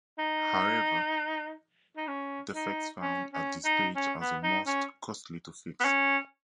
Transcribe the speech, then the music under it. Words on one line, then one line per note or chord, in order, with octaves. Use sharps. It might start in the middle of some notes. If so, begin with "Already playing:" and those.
However, defects found at this stage are the most costly to fix.
D#4
D#4
C#4
D#4
C#4
C#4
D#4
C#4
B3
D#4
C#4
B3
C#4